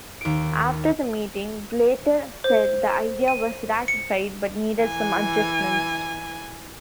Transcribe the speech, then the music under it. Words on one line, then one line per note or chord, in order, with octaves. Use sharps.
After the meeting, Blatter said the idea was "ratified" but needed some adjustments.
D#2 D7
C5
D#7
C#7
E3 G#5